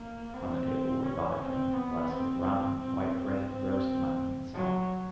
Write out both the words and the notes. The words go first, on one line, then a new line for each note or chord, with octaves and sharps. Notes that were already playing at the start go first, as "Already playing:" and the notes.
On the table were vodka, a flask of rum, white bread, roast mutton, and salt.
Already playing: A#3
C4
C#4
C4
B3
C4
C4
C4
F#3